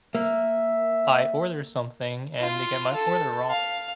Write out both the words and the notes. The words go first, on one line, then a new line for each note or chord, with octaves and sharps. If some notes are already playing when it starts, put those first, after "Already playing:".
I order something and they get my order,
A#3 E5
F4
A4
F5